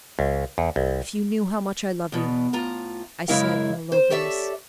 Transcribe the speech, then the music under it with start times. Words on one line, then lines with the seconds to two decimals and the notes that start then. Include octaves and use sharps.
"If you knew how much I love you!" I said in a low voice.
0.19 C#2
0.58 E2
0.76 C2
2.12 E2 B2
2.53 A2 F4 A#5
3.28 F#2 C#3 G#3 E4 A#4 F5
3.92 C5
4.10 G4 A4 C#5 D5 E5